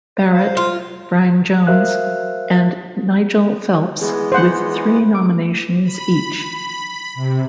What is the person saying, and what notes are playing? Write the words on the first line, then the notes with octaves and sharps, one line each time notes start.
Barret, Bryan Jones, and Nigel Phelps with three nominations each.
C5 F5
F4
F#4 A#4 C5 E5 F5 F#6
E3 G#3 B3 G#4
C5 F#5
D6
B5
C3